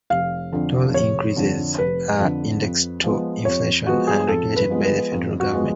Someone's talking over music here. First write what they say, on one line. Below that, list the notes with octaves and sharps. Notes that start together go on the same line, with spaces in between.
Toll increases are indexed to inflation and regulated by the federal government.
F1 F5
F2 D3
F1 C#5
F2 D3
F1 B4
F2 D3
F2
F3 G#3 B3
F2 C#5
F3 G#3 B3 F#4
G#4
F2 A4
B4
F3 G#3 B3
B4
F2
F#4
F3 G#3 B3